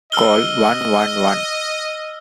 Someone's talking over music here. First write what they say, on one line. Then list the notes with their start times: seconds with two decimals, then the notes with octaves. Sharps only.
Call one one one.
0.12 D#5 E6 F6 G7